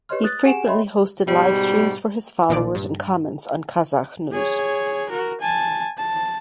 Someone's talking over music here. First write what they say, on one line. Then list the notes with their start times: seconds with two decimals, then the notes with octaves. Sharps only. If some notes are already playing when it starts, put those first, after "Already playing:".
He frequently hosted live streams for his followers and comments on Kazakh news.
0.09 G4 B4 C#5 D#5 C6 F6
0.24 D#6 F#6 A6
0.45 G4 G#4 F#5 G#5 D7 E7
0.66 C#5 D#5 E5 G5 B5 C6
1.27 G#2 B2 G3
2.49 B1 A#2 D#3 D5
2.75 G2
4.33 G#4 C#5
5.10 F#4 A#4
5.41 G#5 A5
5.98 A5